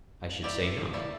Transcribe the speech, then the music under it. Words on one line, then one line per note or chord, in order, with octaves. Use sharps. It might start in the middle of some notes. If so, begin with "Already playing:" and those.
I should say not.
A#3 E4 G4 D5
A#3 E4 G4 D5